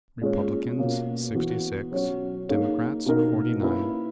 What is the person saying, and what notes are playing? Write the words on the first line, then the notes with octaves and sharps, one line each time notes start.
Republicans, sixty-six; Democrats, forty-nine.
A#2 G#3 C#4
B2 A#3 C#4
E3 B3 F#4
F#3 C#4 F#4 C#5
A#3 D#4 G#4 C#5
B2 A#3 D#4 A#4
A#3 C#4 E4 B4